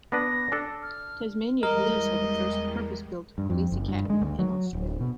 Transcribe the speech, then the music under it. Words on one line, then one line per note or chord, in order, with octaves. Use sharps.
Tasmania Police had the first purpose-built Police Academy in Australia.
B3 D4 B4 A#6
D4 A4
F6
E2 G3 G#3 A#4 D#5
G2
F2
F#1
G2
G#3
D2
F#3
D1
B2